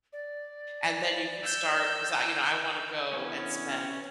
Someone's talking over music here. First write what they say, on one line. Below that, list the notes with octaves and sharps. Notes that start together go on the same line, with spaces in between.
and then you can start" 'Cause I you know, I wanna go and spend
D5
E6 G6
D3 E3 B3 C#4